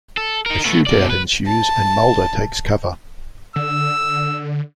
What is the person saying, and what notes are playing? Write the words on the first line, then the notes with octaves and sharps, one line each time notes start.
A shootout ensues, and Mulder takes cover.
A4
D#4 A#4
A3 B3
B2 D5
B4
A5
D3 E6